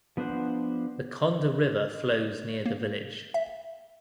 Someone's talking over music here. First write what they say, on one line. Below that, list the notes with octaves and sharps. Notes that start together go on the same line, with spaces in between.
The Konda River flows near the village.
F3 B3 D4 C5 F#5
A#3
E5